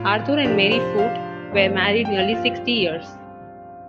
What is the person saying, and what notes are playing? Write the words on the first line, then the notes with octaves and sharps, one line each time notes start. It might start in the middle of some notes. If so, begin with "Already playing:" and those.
Arthur and Mary Foote were married nearly sixty years.
Already playing: A2 F4
C3 F3 D4 G4
C5
F5
G2 F3 A3 C4
G5
F5
F4